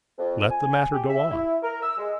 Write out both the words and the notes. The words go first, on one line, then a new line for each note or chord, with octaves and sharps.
Let the matter go on.
F2
G#5
G4
E5
E4
A#4
E6
G#3